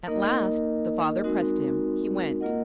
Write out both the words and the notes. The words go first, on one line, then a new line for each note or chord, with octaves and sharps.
At last--the father pressed him--he went.
A#3 D#4 A#4 D#5
G#3 C4 D#4 F#4 A#4
A#3 F4 A#4 D#5 F#5